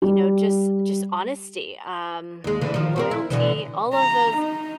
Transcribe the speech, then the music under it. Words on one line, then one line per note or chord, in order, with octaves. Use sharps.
you know, just just honesty, um, and loyalty, all of those
G3
D#2 G#3
D2 D3 E3
D#3 F3
F3 C4 A#4
E4
B2 D3 E3
A#5
D#4